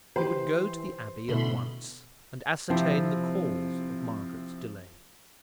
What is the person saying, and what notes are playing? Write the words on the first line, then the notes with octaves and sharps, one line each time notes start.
He would go to the Abbey at once, and ascertain the cause of Margaret's delay.
E3 G4 B4 C5
B2 D3 A3 C#4 E4 B5 C6
C3 F3 C4 E4